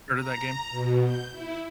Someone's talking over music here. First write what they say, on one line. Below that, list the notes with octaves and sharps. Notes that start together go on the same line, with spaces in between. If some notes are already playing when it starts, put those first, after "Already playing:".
heard of that game?
A#5
B2
G6
E4